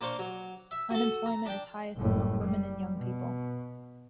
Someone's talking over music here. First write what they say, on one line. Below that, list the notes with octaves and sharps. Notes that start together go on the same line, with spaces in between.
Unemployment is highest among women and young people.
A#3 D4 C5 F5 C#6
F#3
E5
F#4 A4
A#5
D4 G5
F#1 A2
G3
B2